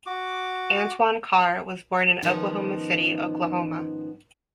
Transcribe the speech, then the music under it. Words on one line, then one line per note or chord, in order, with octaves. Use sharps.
Antoine Carr was born in Oklahoma City, Oklahoma.
F#4 D6
G#2 D#3 F3 B3 C#4 D#4